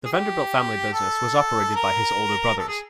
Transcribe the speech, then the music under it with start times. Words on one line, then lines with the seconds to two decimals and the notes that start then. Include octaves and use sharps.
The Vanderbilt family business was operated by his older brothers.
0.05 G#4
0.12 G4
0.93 A4
1.75 A#4
2.58 A4
2.68 G#4